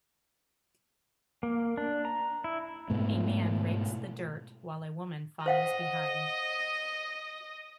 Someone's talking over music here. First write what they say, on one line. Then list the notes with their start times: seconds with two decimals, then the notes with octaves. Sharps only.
A man rakes the dirt while a woman follows behind.
1.43 A#3
1.78 D4
2.05 A#5
2.44 E4
2.90 G#2 B2 A3
5.46 C5 D#5 F5 F#5